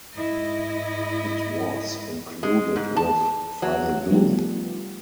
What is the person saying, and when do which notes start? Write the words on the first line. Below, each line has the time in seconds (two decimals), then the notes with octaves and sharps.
It was included with "Final Doom".
0.14 G#2 E4 D#5
2.43 G#3
2.76 G#2
2.96 A5
3.62 F#3
4.10 F3 G3 A3 B3 F4 G4